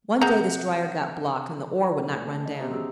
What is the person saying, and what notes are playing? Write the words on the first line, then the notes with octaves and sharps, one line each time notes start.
One day this drier got blocked, and the ore would not run down.
C3 G#4 F#5 A#5 G6
A3 G#5
G5 A5
C#4 D#5
B3 G4 C5 E5 A#5
C#4 F#4 G#4 E6